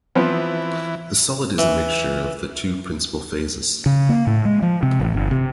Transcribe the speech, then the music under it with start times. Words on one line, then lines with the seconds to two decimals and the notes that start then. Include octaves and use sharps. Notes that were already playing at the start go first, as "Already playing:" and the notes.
The solid is a mixture of the two principal phases.
0.15 E3 F3 B3 C4
1.58 E3
3.86 C#3
4.09 A#3
4.27 A2
4.45 G#3
4.62 F3
4.83 C3
5.00 A1
5.14 G1
5.31 C3